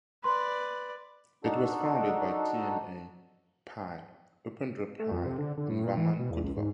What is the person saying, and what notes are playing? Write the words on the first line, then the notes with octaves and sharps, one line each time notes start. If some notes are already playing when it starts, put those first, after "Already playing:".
It was founded by T M A Pai, Upendra Pai and Vaman Kudva.
B4 D5 C6
D4 D#4 F#4 A4
A3
F2
C3
D3
D3
A2
A#2
E3
B2
E2
C#2
G#2